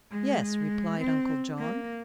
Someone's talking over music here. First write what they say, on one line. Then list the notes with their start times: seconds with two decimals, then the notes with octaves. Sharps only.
"Yes," replied Uncle John.
0.12 G#3
0.99 C4
1.58 A#3